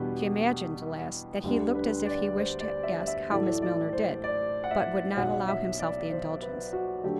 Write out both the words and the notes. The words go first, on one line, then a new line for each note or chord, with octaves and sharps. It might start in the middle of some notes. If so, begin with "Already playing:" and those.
She imagined, alas, that he looked as if he wished to ask how Miss Milner did, but would not allow himself the indulgence.
Already playing: E2 B2 G3 B3 D4 G4
D2 D3 G3 D4 G4
B4
D5
C5
D5
E5
E5
A1 A2 F#3 A3 D5
D5
C5
D5
F#5
E5
B1 B2 F#3 F#5
E5
D5
C5
B4
F#4
D3 F#3 A3 G4